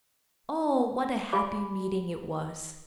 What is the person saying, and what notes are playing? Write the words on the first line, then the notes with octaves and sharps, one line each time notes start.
Oh, what a happy meeting it was!
G4 D5 F5 G#5 B5 D6